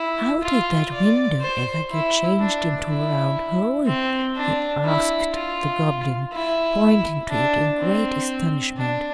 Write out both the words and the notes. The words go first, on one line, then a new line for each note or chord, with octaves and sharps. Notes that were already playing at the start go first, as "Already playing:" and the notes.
"How did that window ever get changed into a round hole?" he asked the Goblin, pointing to it in great astonishment.
Already playing: E4
F4
D5
C5
E4
D4
E4
C4
D4
E4
F4
E4
D4
C4
D4